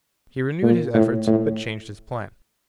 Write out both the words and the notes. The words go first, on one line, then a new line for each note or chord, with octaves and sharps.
He renewed his efforts, but changed his plan.
A#2
A2
A2